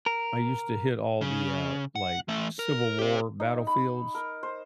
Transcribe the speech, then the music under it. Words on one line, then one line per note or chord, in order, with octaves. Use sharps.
I used to hit all the, uh, like, civil war battlefields
A#4
C#3
F#5
E3 A3
A#4
G4 C5
D#4
B5
A#4
C5